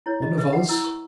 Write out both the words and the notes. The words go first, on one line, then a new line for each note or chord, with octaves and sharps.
One of us?
E4 C#5
D#5
B4 E5
F#5
E4 E6
C#6